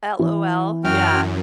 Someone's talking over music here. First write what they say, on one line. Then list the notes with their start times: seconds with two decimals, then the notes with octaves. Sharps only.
LOL, yeah.
0.19 E3
0.84 F#2 F#4 G5 F6